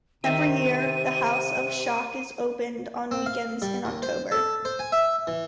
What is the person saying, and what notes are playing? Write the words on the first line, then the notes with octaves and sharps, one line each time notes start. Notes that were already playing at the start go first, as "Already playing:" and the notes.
Every year, the House Of Shock is opened on weekends in October.
C3 D#3 C5 E5 D#7
C4
F5
G3
D#2
C5
A4
C5
G#5
E5
E3